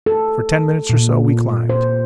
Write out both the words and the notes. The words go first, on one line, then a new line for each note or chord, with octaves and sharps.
For ten minutes or so we climbed.
A4
A#2
C5